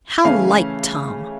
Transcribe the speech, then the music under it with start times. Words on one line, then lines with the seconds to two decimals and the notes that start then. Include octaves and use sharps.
How like Tom!
0.24 C#3 E3 A3 C#4 F5